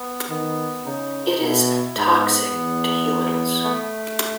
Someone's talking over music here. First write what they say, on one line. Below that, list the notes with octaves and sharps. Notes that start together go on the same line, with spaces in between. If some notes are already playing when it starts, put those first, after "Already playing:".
It is toxic to humans.
Already playing: B3
D#3 B3
C#3 D#4
D#4
B2 E4
G#2 B3
E2
A3